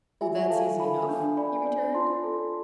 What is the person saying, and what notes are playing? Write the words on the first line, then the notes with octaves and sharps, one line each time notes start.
"Oh! that's easy enough," he returned.
F4 E5 G#5
A4 F5 A5
A4 G#5 B5
D4
D5 G#5 B5
D5
F4 A5 C6
A4